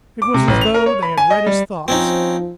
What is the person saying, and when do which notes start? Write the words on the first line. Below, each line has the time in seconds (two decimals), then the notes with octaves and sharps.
It was as though they had read his thoughts.
0.22 D6
0.34 C3
0.48 A1
0.61 F7
0.74 A#4
0.86 C#5
1.02 B5
1.18 G#5
1.30 D#5
1.46 G3
1.88 F3 C4 C#4 D#4